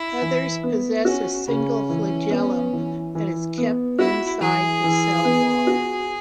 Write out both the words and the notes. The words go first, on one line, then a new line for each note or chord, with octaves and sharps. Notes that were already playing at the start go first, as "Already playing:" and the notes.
Others possess a single flagellum that is kept inside the cell wall.
Already playing: E4
E3
B3
C#4 F#4
C#3 C#4
E3
B3
E3
E3
B3
E4 F#4
E3 G#4
E3
B3
F#4